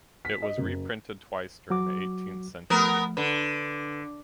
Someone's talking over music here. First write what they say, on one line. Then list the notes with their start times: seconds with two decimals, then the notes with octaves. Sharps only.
It was reprinted twice during the eighteenth century.
0.25 B6
0.42 D#5
0.58 F#1
1.70 F#3 F#4 D6
2.70 F3 A3 B3 A#4
3.17 D3 B4